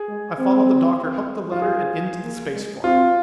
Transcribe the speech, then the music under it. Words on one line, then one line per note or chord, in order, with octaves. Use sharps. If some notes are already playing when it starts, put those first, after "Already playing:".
I followed the Doctor up the ladder and into the space flier.
Already playing: G#4
G#3
C4
F4
G#4
A#3
G#3
C4 F4